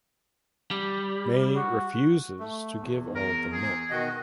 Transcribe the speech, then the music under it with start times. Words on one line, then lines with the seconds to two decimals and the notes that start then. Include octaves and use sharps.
Mai refuses to give all the milk.
0.71 G3
1.56 F#4
2.40 A3
2.80 E2
3.15 A#4
3.52 G#4
3.90 B2 D#3 F#4 D#5